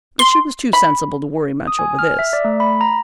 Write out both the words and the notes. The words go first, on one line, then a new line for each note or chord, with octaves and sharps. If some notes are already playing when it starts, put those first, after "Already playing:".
But she was too sensible to worry much over this.
C6
B5
D#6
G#5
F6
E5
D5
A3
B5
A#5